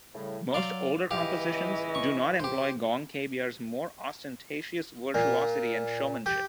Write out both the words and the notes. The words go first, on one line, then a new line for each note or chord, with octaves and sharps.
Most older compositions do not employ gong kebyar's more ostentatious virtuosity and showmanship.
A2 C#3 G3
F#3 D5 F5 C6
C#2 E3 G4 D#5 F5
C#6
G4 C5
A#2
G4